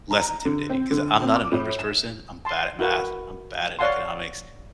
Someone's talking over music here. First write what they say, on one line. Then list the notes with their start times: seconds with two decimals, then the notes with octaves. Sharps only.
less intimidating, 'cause I'm not a numbers person, I'm bad at Math, I'm bad at Economics,
0.11 A#5
0.45 D3
0.70 C4
0.91 D3
1.22 C4
1.36 D6
1.52 A2
1.79 E7
2.45 A5 C6
2.79 E4 F#4 A#4 B4 F#5
3.79 C#5 D5 F5 F#5 A5 C6